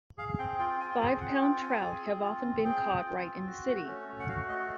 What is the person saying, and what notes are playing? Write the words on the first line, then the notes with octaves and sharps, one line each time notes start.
Five-pound trout have often been caught right in the city.
G#4 F5
C4 G5
F4 G5
C4 G#5
G#4 G5
C4 F#5
F4 G5
C4 G#5
G#4
C4
F4
C4
G#4 G5
C4
F4
C4
F#4
A3
C#4
A3
F#5
F#4 F5
A3 D#5